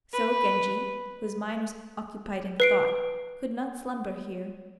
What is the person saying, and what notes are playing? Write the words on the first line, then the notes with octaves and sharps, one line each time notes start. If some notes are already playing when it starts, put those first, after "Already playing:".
So Genji, whose mind was occupied in thought, could not slumber here.
B4
B4 C7 D7